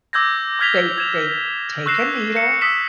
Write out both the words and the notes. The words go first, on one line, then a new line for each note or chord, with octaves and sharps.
They they take a needle
D6 E6 G6 G#6 A#6
D6 F6 G#6 B6 F7 G7
G#6 E7 F7
C#6 E6 F#6 A#6 C7 E7
C#7
D#6 E6 B6 E7